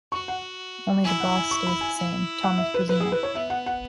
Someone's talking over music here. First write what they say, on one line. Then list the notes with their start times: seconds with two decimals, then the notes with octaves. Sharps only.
Only the 'boss' stays the same: Thomas Brezina.
0.12 F#4 C#6
0.28 F#5
1.04 E4 G#5
1.20 F#5
1.36 G#5
1.51 C#6
1.67 B5
1.81 G#5
1.97 E4
2.43 F#5
2.58 E5
2.74 B4
2.89 E4 B4
3.00 G#4
3.12 B4
3.23 C#5
3.35 B3 E5
3.50 F#5
3.66 F#5